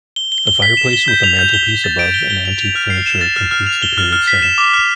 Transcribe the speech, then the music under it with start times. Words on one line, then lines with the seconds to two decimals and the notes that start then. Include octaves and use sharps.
A fireplace with a mantelpiece above and antique furniture completes the period setting.
0.16 G7
0.32 G7
0.47 G7
0.62 B6
0.77 E7
0.93 G7
1.08 G6
1.23 F7
1.39 G6
1.54 G7
1.69 G7
1.84 A6
1.99 D7
2.14 G7
2.30 G7
2.45 F7
2.60 F7
2.75 F6
2.90 C7
3.06 E7
3.21 A6
3.36 F6
3.51 F6
3.67 F7
3.82 G7
3.98 F6
4.13 F6
4.27 B6
4.42 E7
4.58 D6
4.74 F6